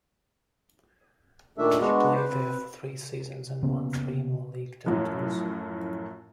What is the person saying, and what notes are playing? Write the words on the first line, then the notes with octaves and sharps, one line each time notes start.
He played there for three seasons, and won three more league titles.
A#2 D#3 A3 D4 E5
G#3 B3 D4 F#4
B4 C5 D5
C4 B4
C#3 A#3 B3 C#4
F#2 A2 F3 F#3